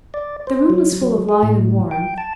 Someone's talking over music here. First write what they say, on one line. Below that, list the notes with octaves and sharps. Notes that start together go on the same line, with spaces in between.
The room was full of light and warmth.
D5
C5
F#3
F#3
G#4
A2
G5
A5